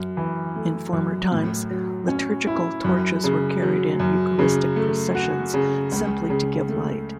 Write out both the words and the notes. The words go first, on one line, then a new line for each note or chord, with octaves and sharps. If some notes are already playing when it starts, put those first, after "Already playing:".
In former times, liturgical torches were carried in Eucharistic processions simply to give light.
Already playing: F#2
E3
A3
F#2
A2
F#3
C#4
E4
F#2
C#3
F#3
F#2
C#3
A3
F#4
C#3
C#2
C#3
A3